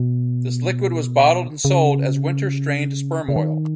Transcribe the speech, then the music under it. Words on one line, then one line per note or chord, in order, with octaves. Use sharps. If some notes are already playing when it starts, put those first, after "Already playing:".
This liquid was bottled and sold as "winter-strained sperm oil".
Already playing: B2
C#3
C#3
D#3